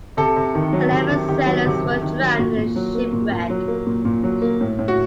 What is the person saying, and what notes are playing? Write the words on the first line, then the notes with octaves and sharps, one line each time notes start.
Eleven sailors were drowned in the shipwreck.
C3 A4
C3
D#3
F#3
C3
C3
D#3 G4
F#3
C3
C3
D#3
F#3
A#2 F#4
A#2
F#3
A#3
A#2
A#2
F#3
A#3
A#2
A#2
F#3
A#3
A2
A2
F#4